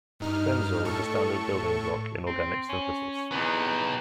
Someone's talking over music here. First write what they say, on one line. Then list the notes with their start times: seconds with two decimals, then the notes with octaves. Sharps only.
Benzil is a standard building block in organic synthesis.
0.20 G2 D#4 F6
0.85 A2 A4 C#6
2.27 C4
2.69 C#4
3.32 E2 B3 D#4